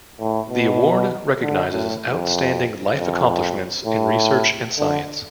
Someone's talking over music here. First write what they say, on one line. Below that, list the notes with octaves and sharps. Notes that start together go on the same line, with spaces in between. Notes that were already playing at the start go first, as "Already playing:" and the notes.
The award recognizes outstanding life accomplishments in research and science.
A2
B2
D3
A2
F2
F2
A2
D3